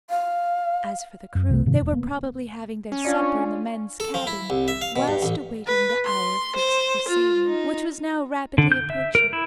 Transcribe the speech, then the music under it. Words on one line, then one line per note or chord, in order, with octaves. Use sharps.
As for the crew, they were probably having their supper in the men's cabin, whilst awaiting the hour fixed for sailing, which was now rapidly approaching.
F5
F#2
C2 C3 D#3 A3
G#2 C3 D#3
E1
A#3 B3
C#4
D4 F4
A4
F3
E4
C2
E5
F5
B2
G2
A1
B4
C6
C5
F4
D#4
D3
G6
E5
A#4
E4